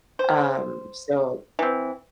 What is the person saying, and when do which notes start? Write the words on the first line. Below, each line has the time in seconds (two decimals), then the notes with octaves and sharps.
Um, so,
0.19 C5
1.59 E3 C4